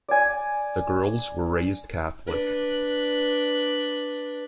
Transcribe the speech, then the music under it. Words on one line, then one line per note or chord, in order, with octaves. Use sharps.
The girls were raised Catholic.
D5 G#5
D4 B4